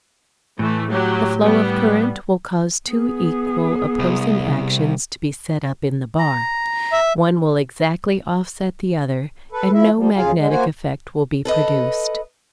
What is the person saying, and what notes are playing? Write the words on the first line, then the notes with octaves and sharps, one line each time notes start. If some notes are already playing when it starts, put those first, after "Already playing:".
The flow of current will cause two equal opposing actions to be set up in the bar; one will exactly offset the other, and no magnetic effect will be produced.
A2 E3 A3
F#3 G4
G3 B3
B3 G#4
C2
A#5
E5
A4 B4
F3 E4 E5
F3 G3
D#2 C#3 F4 G#4 F5 G#5
D3 G#3
A#3 F#4 C5 G#5
A4 B4 D#5